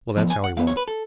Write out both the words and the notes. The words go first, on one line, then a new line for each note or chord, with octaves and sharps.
Well, that's how he walked.
F2 F3 B3 A5
G#5
F#5
F2 F3 B3 F5
C#5
B4
A4